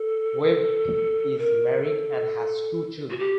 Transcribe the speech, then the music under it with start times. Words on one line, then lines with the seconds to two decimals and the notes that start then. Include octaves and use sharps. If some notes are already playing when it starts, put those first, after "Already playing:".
Webb is married and has two children.
Already playing: A4
1.39 A#4
1.83 A4
3.11 F#4
3.19 G4